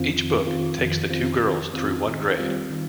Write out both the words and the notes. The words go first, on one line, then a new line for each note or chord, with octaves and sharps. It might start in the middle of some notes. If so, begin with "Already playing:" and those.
Each book takes the two girls through one grade.
Already playing: F2 D#3 C4 F4
F2
D#3 C4 F4
F2
D#3 C4 F4
F2
D#3 C4 F4
D#3
G3 C4 F4
D#3